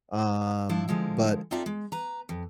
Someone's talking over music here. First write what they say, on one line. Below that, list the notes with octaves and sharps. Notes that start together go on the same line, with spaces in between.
um, but
F3 D4 E4
D3 F3 G#3 A#4
C4 D#4 F4 A4 D5 E5
G#3
B4 A#5
F2